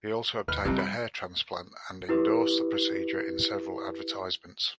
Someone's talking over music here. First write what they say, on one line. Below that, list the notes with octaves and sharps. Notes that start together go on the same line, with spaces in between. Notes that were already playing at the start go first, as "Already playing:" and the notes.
He also obtained a hair transplant and endorsed the procedure in several advertisements.
D#2 B4 F6
F2 C3 E3 G3
B5
E4 G4 B4